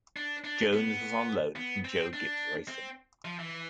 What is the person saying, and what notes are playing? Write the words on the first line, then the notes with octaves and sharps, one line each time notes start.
Jones was on loan from Joe Gibbs Racing.
D4
D4
B3
B3
C4
D4
C4
F3
E3